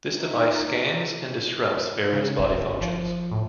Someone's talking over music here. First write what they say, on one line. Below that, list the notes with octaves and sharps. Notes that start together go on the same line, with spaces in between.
This device scans and disrupts various body functions.
D#4 E5
C#3
G1
G1
F3
A2